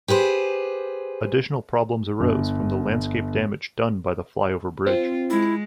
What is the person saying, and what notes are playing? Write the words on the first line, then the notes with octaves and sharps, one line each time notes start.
Additional problems arose from the landscape damage done by the flyover bridge.
G4 G#4 B4 C5
G1
C4 F4
G#3 E4